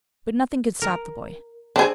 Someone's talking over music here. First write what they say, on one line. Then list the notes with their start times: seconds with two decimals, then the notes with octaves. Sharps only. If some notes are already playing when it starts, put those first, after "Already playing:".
But nothing could stop the boy.
0.82 A#4
1.76 C4 D4 G#4